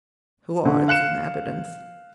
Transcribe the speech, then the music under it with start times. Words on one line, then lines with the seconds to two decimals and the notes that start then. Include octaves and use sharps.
Who are its inhabitants?
0.65 D3
0.88 F5 F#6 C#7 E7